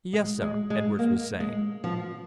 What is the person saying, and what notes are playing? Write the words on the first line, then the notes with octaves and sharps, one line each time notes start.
"Yes, sir," Edwards was saying.
G#3
G#3
G#3
A#3
G#3
F3